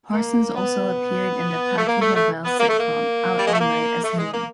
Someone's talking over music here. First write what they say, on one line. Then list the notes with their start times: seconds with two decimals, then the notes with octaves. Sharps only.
Parsons also appeared in the Patti LaBelle sitcom, "Out All Night" as Hilary.
0.12 A#3
0.55 B3
1.77 A3
1.87 A#3
2.01 A3
2.15 A3
2.44 B3
2.59 A#3
2.69 A3
2.80 A#3
3.37 G3
3.45 G#3
3.53 A3
3.60 A#3
4.04 A3
4.18 G#3
4.33 A#3